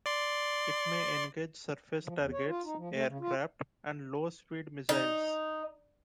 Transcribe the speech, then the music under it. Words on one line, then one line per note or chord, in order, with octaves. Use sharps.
It may engage surface targets, aircraft, and low speed missiles.
D5 C6
F3
E2
C#5
F4
D#4
F3
A3
C#3
F4
D#4